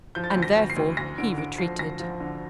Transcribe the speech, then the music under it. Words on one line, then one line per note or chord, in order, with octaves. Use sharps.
And therefore he retreated.
F3 G6
A6
D2 G6
A#6
D2
C7
D2
D2 A#6
D3 D7
D3 D7
F3 C7
D2 A#6
F3
D3